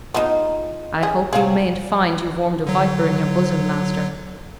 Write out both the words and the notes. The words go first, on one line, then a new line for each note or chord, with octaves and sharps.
"I hope you mayn't find you've warmed a viper in your bosom, master."
G#3 B3 D#4 F4
D#3 C#4 G#4
C3 F#3 G#4 F5
D3 F#3